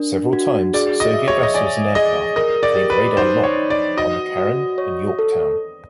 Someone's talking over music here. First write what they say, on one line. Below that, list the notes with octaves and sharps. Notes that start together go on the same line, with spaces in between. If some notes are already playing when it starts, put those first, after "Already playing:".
Several times, Soviet vessels and aircraft obtained radar "lock" on the "Caron" and "Yorktown".
Already playing: D4 A#4
F#4
G#4 D5
D#5
E5
C#5
D#5
D5 G#5
G#4 D#5
A#4 D#5
D5
G4
B4
D#4 C5
C#5
D#4
D5
F#4 D#5
F#4
C#5
A4